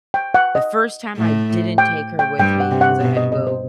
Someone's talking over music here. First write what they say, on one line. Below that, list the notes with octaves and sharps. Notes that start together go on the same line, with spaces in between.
The first time I didn't take her with me 'cause I had to go,
G5
F#5
D#5
A2 A3
G5
G5
G2 G3 G5
F#5
C3 G5
F#5
B2 F#5
D#5
D#5
C5